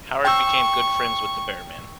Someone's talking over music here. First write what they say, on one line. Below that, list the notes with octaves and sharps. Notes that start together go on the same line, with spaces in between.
Howard became good friends with Behrman.
G5 C#6 E6